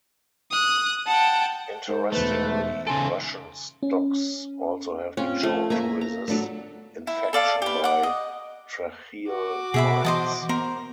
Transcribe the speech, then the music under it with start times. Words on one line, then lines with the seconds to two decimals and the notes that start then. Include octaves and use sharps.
Interestingly, Russian stocks also have been shown to resist infection by tracheal mites.
0.51 D#6 F#6
1.07 F#5 G5 A5
1.88 G#2 C5
2.12 E1 A3 B4 C5
2.51 E5
2.87 C#3 A4 G#5 C6 D7
3.83 C#4
5.17 C4 C#4 F4
5.43 F3 A3
5.70 A#3 E5 G#5 A#5
6.01 A#5
6.28 F#3 A3 B3 D4 A4 E5
7.07 E4
7.33 A4 D5 F5 A5
7.62 G4 B4
7.84 F#5 D6
8.03 D#5
9.28 F#4 D6
9.74 B2 B3 G#4 E5 B5
10.05 E3 C5 D#5 A5
10.49 B3 A#4 C5